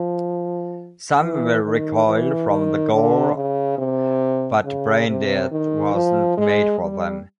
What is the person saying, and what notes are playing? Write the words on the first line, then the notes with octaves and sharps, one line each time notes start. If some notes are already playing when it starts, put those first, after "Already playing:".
Some will recoil from the gore, but "Braindead" wasn't made for them.
Already playing: F3
E3
D#3
E3
D#3
D3
C#3
C3
C#3
C3
D#3
F3
G#3
G3